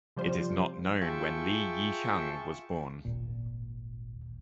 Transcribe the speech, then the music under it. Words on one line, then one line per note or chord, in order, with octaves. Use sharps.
It is not known when Li Yichang was born.
C3 F3 G3 F4 C5
F4 G#4 E5 G5 A5 C#6
D#1 G#1 D#2 A#2